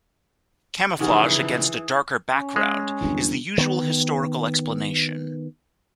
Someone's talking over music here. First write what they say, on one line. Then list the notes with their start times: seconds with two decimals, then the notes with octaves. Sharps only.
Camouflage against a darker background is the usual historical explanation.
1.00 C#3 E3 F3 D#4 G4 G#4 F#5 C#6
2.32 C#4
2.56 G#3
3.01 G1 E2 D3
3.58 D#3 B3